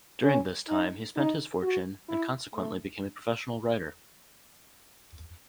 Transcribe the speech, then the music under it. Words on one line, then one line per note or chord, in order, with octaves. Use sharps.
During this time he spent his fortune and consequently became a professional writer.
C#4
D#4
D#4
F#4
E4
A3